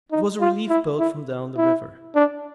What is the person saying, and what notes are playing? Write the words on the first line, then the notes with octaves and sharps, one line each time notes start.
It was a relief-boat from down the river.
D#4
F4
E4
E4
E4
D4